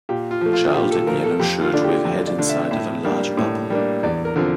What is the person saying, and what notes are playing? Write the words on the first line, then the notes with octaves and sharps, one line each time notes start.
Child in yellow shirt with head inside of a large bubble.
A#2 G4
F4
F3 A3
F4
A#2 G4
A4
F3 A3 A#4
A4
F2 G4
F4
D3 A3 D4
G4
F2
D5
D3 A3 D4
E5
A2 E5
G3 A#3 D4
A2
G3 A#3 D4
E2 D5
A#4
D3 F3 C4